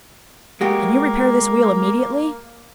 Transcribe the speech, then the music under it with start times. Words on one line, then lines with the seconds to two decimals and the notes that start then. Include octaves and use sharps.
"Can you repair this wheel immediately?"
0.61 G#3 A#3 F#4 G4